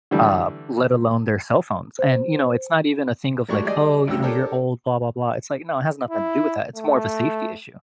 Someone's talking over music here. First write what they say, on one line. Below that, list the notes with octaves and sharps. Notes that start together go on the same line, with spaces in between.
uh, let alone their cell phones. And, you know, it's not even a thing of, like, "Oh," you know, "You're old, blah blah blah," it's like, no, it has nothing to do with that, it's more of a safety issue,
D3 E3 G3 A3
C5
F#3 G#3 A3 D4 G4 C#6
G3 D4 G4 G#4 D5 D#5
A1 D2 F#3 G3 G5 E6
D4 G4 A4 A#4 C#5
E4
A3